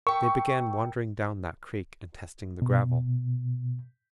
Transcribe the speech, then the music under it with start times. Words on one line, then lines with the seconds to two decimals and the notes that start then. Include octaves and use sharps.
They began wandering down that creek and testing the gravel.
0.07 A#4 G5 C#6
2.62 B2